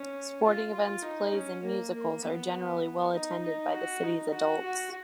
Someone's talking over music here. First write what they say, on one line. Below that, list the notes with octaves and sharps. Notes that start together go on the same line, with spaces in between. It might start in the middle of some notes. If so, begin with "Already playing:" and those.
Sporting events, plays and musicals are generally well attended by the city's adults.
Already playing: C#4
F4
F4
D#4
C#4
A#3
A#3
B3
D#4
D#4
F#4
D#4
F#4
F#4